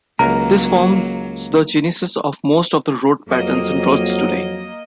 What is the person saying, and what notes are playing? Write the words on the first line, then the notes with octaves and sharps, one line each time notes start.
This forms the genesis of most of the road patterns in Rothes today.
C#2 F#3 A#3 A#4 A#5
F2 F#3 A#3 D#5